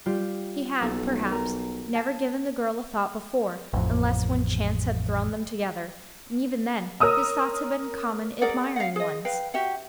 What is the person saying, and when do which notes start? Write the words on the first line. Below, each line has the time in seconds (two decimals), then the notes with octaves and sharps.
He had, perhaps, never given the girl a thought before, unless when chance had thrown them together, and even then his thoughts had been common admiring ones.
0.06 G3 F4 G4
0.82 B1 A4
1.31 A#4
1.95 A5
3.73 A1 F2
7.00 A#4 C#5 D#6 E6
8.41 G#4 A#4 D5 F#5
8.76 F5 F#5
8.96 G#4 D#5
9.25 B4 F5 G5
9.54 F#4 G4 E5 F#5